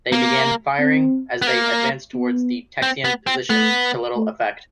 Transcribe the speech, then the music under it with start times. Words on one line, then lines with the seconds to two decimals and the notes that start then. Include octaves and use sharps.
They began firing as they advanced toward the Texian positions, to little effect.
0.12 A#3 B3
0.79 C4
1.42 B3
1.47 A#3
2.14 B3
2.82 C4
3.05 B3
3.27 C4
3.50 A3 B3
4.16 A3